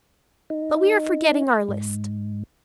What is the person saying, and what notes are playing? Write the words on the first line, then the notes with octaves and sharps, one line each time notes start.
But we are forgetting our list.
D#4
G#2